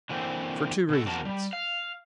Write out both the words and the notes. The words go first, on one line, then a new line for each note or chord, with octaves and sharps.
"For two reasons."
D3 E3 A#3 C4
B2 A4
B2 D#3 A#3 F#4 A#4 A5
G3
F5